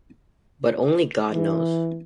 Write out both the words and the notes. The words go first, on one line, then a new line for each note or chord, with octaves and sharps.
But only God knows.
E3